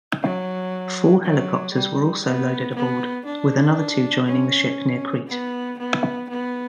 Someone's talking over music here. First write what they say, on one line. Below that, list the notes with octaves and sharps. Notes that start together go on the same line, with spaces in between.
Four helicopters were also loaded aboard, with another two joining the ship near Crete.
F#3
F#3
G3
B3
B3
D4
C#4
B3
B3
B3